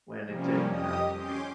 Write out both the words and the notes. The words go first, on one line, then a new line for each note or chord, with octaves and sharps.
when it didn't have to be.
C3 F3 G3 A#3 C#4
F2 G4 D#5 D#6
C#4 C6 D6 G6